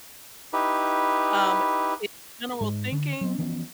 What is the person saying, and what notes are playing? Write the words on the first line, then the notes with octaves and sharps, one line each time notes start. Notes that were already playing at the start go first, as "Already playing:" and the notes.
um, in general thinking,
D#4 E4 G4 B4
G#2 G#3
D3
F#3 B3
E3 F3 B3 C#4